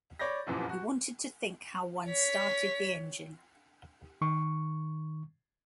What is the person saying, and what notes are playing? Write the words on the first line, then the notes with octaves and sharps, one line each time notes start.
He wanted to think how one started the engine.
C#5 D5 B5 G6 A#6
F1 C2 F#2 A#2 E3 F3
F#4
C#5 B6
D#3 C#6